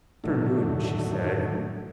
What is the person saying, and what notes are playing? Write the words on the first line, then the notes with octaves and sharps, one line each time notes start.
Afternoon she said.
A2 D3 D#3 F#3 A3